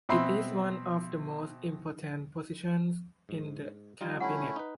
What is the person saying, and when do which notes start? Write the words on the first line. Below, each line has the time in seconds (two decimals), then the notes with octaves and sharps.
It is one of the most important positions in the Cabinet.
0.09 B2 C4 E5 B5 C6 C7
3.29 G#2
4.01 G3 D#4 F4
4.20 A3 C#4 E4 F#5
4.56 D#4 B4